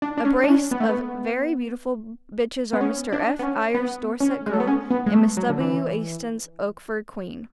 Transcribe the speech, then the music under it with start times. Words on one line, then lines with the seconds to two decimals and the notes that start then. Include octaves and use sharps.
A brace of very beautiful bitches are Mr. F. Eyer's Dorset Girl and Miss W. Easton's Okeford Queen.
0.02 D4
0.17 D4
0.25 C#4
0.44 D4
0.48 C#4
0.71 B3
0.80 A3
0.89 B3
2.73 B3
2.81 C#4
3.13 D4
3.39 B3
3.43 C#4
3.75 B3
4.20 C#4
4.46 G#3
4.53 A3
4.60 B3
4.67 C#4
4.91 B3
5.06 G#3
5.14 A3
5.37 F#3
5.49 D3
5.60 E3